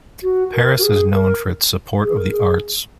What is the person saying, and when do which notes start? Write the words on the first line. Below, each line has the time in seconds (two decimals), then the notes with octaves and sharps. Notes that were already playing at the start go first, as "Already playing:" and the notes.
Paris is known for its support of the arts.
0.23 F#4
0.53 A#4
0.78 F#4
0.83 G#4
1.13 A#4
2.02 G#4
2.17 A#4
2.31 G#4